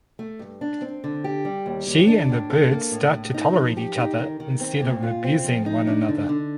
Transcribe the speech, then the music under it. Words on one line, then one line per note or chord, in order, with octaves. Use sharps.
She and the bird start to tolerate each other instead of abusing one another.
A3
G2
D4
C4
D3
G4
G3
D#2
D#2
D4
A2
A4
A#3
A2
A2
D#4
F3
G4
D#4
D#3
D#3
C4
A#2
F4
C4
F3
D#4
D4
D3
D3